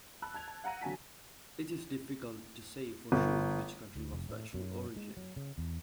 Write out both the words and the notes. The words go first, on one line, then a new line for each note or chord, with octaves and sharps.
It is difficult to say for sure which country was the true origin.
A5 B5 E6 F#6
A5 G#6 F7
A5
F5 F#5 A#5 A#6 D#7
D3 F#3 F#4 G#5 A5 B6
G1
D2
F1
A2
F#2
G#3
F#3
C#3
E2